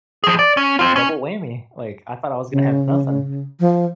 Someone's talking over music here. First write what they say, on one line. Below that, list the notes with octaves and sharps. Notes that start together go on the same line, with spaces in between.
double whammy," like, I thought I was gonna have nothing.
F3 G#4
D5
C#4
C4 F4
C#4
C#3
F3